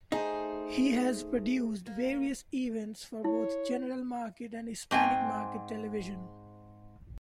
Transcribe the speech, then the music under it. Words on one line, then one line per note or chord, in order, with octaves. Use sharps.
He has produced various events for both general market and Hispanic market television.
A3 D#4 G#4 C5
A#3
E4 C#5
G#2 C4 G5 G#5